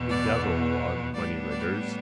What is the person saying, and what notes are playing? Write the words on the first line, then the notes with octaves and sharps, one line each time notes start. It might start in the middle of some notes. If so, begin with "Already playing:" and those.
The devil on moneylenders.
Already playing: E2 B2 B3
D5
A2 G3 B3 D4 D5
D5